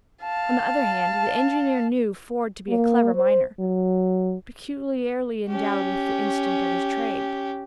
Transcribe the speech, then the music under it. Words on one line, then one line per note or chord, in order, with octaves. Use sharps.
On the other hand, the engineer knew Ford to be a clever miner, peculiarly endowed with the instinct of his trade.
F5 A5
A#3
C5
F#3
C#4 G4